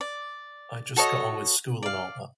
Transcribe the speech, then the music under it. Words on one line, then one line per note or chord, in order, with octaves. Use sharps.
I just got on with school and all that.
D5
F#4 A4 C#5 D#5
D5 F5